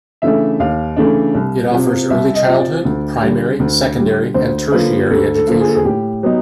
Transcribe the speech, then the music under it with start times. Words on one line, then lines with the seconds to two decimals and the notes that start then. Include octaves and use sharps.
It offers early childhood, primary, secondary and tertiary education.
0.22 C#3 E3 A3 D4 E5
0.59 D#2 F5
0.97 C#3 E3 A3 D4
1.34 C2
1.72 C3 F3
2.10 C2 E5
2.34 D#5
2.47 C3 F3
2.60 D5
2.85 D2
3.22 D3 G3
3.60 D2
3.98 D3 G3
4.34 D2 C5
4.72 D3 F3 A#3 B4
5.10 D2 A4
5.35 A4
5.47 D3 F3 A#3
5.60 G#4
5.68 A4
5.75 G#4
5.84 A2 G4
6.23 F#3 B3 D#4